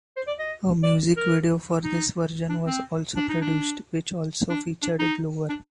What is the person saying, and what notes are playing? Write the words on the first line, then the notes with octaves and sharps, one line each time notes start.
A music video for this version was also produced, which also featured Glover.
C5
D5
D#5
D5
A#4
D#4
D4
C4
D4
D#4
D4
D4
D4
D#4
D4